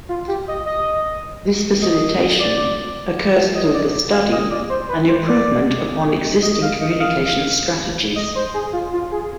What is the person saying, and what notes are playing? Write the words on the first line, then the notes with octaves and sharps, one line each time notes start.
This facilitation occurs through the study and improvement upon existing communications strategies.
F4
G4
D#5
D#5
D#5
D5
D#5
D5
F5
D#5
D5
C5
B4
C5
D5
D#5
F5
D#5
D#5
F5
D#5
C5
G#4
F4
F4
G#4